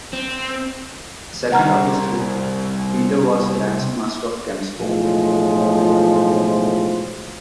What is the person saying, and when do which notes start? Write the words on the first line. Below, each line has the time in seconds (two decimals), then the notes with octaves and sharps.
The second of his three brothers, Peter, was a dancing master of Chelmsford.
0.13 C4
1.52 C2 F#5 A#5 F6
4.79 B1 A2 F3 G#3 F4